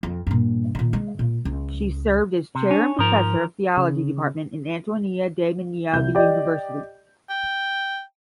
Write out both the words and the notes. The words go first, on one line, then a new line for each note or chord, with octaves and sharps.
She served as Chair and Professor of Theology Department in Ateneo De Manila University.
F2
G2 A#2
A#2 D#3
G#3
A#2
C#2
C3
C#4 D4
G#2 F3 A#4
C#3
C2 G6
G4 D5 D#5
G5